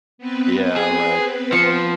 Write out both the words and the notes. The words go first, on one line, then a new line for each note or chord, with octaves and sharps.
Yeah, right.
B3 C4 B4
G#4
F3 C#7